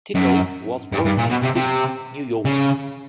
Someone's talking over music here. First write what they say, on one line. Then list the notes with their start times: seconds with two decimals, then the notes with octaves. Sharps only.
Tito was born in Queens, New York.
0.15 F#2
0.92 G2
1.05 G2
1.18 A#2
1.30 B2
1.43 C3
1.55 C3
2.45 C#3